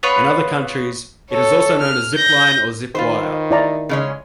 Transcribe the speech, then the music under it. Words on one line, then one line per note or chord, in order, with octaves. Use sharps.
In other countries, it is also known as a zip-line or zip-wire.
B3 F4 B4 C#5
A4 C#5
F6
G6 A#6
D#3 F4 B4 C5
E4 D5 A#5
C#3 G#3 C#4